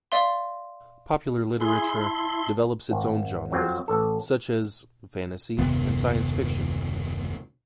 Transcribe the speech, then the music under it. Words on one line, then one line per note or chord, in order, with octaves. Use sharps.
Popular literature develops its own genres such as fantasy and science fiction.
D5 E5 F5 C6
E4 G#4 C6
A5
G#1
F2 F#3 C4
A1 A4
F#1 D#2 C3 B3